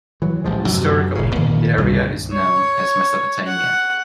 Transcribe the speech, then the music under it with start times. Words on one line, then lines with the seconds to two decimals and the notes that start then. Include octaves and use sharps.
Historically, the area is known as Mesopotamia.
0.22 E3 F#3
0.44 A1 F3 G#3
0.68 F#2 C3
1.15 F#1 A#2 C#3
1.36 A#2 D#3 F3 A#3
1.78 C2 G2 C#3
2.33 C#5
3.48 F#5